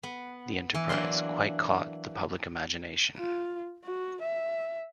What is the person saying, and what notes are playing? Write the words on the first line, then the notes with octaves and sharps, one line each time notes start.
The enterprise quite caught the public imagination.
B3
E3
E3 F#3 A#3 D4 C6
F4
F#4
E5